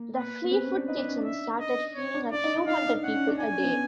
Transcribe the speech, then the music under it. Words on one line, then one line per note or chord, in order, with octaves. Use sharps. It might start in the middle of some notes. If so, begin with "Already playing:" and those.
The Free Food Kitchen started feeding a few hundred people a day.
Already playing: A#3
B4
B3
C4 B4
C#4
D4
D#4 B4
D4
C#4
D4
E5
D#5
C#5
D4
D4 D5
D#4
D4
D#4 F5
D4
C#4 F#5
C#4
D4
C#4
D4 G#5
C#4
B3